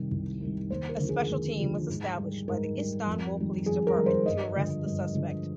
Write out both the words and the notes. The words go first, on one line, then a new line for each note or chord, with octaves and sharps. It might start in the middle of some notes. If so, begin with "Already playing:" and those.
A special team was established by the Istanbul Police Department to arrest the suspect.
Already playing: C3 D#3 G3
C2
C3 D#3 G3
D#2 C5
A#4
D3 F3
G#4
D#2
D3 F3
G#2
G3
G#2 A#4
G3
F2
D#3 G3
F2 G#4
A#4
D#3 G3
C5
G2 D#5
D3 F3
G2
D3 F3